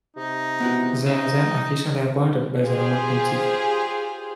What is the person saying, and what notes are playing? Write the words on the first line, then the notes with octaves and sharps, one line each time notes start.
They are then officially appointed by the Roman Pontiff.
C3 D#4
B3 E4 F#4
D#4 E5 F5
F4 G4 G#4 C5